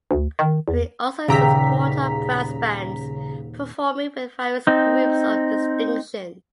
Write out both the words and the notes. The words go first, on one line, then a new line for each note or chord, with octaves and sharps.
He also is a supporter of brass bands, performing with various groups of distinction.
D2
D#3
E2
D#1 C#3 G4 A#5 E6 B6
C4 D#4